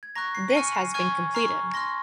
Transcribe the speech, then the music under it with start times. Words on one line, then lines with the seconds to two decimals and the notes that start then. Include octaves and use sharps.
This has been completed.
0.03 G#6
0.15 A#5 C#6 F#6 A#6
0.35 C7
0.50 D#7
0.55 G#5 C#6 F6 C#7
0.75 C7
0.94 G#5 C#6 F6 G#6
1.34 A#5 C#6 F6 C7
1.74 C6 F6 A#6